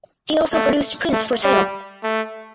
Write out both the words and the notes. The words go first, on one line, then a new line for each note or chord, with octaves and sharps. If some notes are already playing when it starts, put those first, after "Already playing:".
He also produced prints for sale.
A3
A3
G3
A3